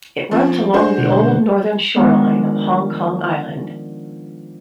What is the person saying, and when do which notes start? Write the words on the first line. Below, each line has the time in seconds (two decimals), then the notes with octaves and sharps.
It runs along the old northern shoreline of Hong Kong Island.
0.31 F3 C4
0.73 D4 F#4 G#4 C5
0.98 B2 D3 G#3
1.96 D#3 F3 G#3 B3 D4